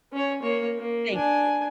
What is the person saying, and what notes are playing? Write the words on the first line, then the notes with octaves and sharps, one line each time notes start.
Thank you.
C#4 C#5
A#3 C#5
A#3
D4 G#5